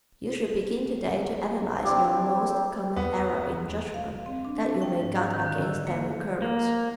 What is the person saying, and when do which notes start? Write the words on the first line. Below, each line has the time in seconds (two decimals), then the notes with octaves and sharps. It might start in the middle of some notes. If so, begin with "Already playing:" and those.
You should begin today to analyze your most common errors in judgment that you may guard against their recurrence.
1.85 C4 D4 E4 G4
2.96 E2 B3
3.94 F5
4.26 C4
4.45 D4
4.82 G5
4.98 G#2
5.16 F5
5.34 D#3
5.46 D3
5.62 E6
5.87 A#3
6.42 A#3